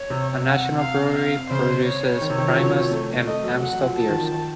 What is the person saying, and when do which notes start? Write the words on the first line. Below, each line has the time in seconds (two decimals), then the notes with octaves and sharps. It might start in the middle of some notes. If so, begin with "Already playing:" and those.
A national brewery produces Primus and Amstel beers.
Already playing: C#5
0.10 C3
0.45 F#5
0.80 F5
1.15 F5
1.50 C#3 C5
1.86 C#5
2.21 D#3
2.30 C3
2.38 D#3
2.47 F3
2.56 F#3
2.91 A3
3.26 A3 D#5
3.43 F#3
3.62 F#5
3.73 F#3
3.85 F3
3.97 F3 A5
4.08 D#3
4.20 F3
4.32 D#3